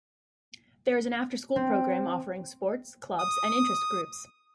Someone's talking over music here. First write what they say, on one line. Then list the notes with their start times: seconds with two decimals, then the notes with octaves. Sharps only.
There is an after-school program offering sports, clubs, and interest groups.
1.56 C4
3.19 D#6